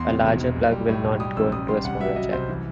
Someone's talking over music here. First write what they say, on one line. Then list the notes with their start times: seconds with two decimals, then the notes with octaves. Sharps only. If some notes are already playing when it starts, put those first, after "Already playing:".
A larger plug will not go into a smaller jack.
Already playing: E2 C6
0.08 C3
0.24 E1
0.40 E1
0.56 B1
0.72 G3
0.89 A2
1.04 B1
1.20 G3 D#6
1.36 A1 E6
1.52 A1 D#6
1.68 G3 C6
1.84 C2 F#5
2.00 F#3 E5
2.16 F#3 D#5
2.32 C2 C5
2.49 E3